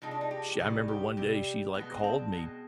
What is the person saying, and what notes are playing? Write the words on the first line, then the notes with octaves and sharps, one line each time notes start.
sh I remember one day she like called me
C3 F3 G#3 D#4
D4
D#4
G4
C3 D#3 G3 G#4
G4
C3 G3 G4
B2 G#3 B3
D4
C4
B2 G#3